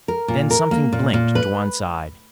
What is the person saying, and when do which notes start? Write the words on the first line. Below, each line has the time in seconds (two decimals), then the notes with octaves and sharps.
Then something blinked to one side.
0.08 A#4
0.28 A#2
0.51 A#4
0.71 A#3
0.92 A#2
1.14 A#2
1.35 B4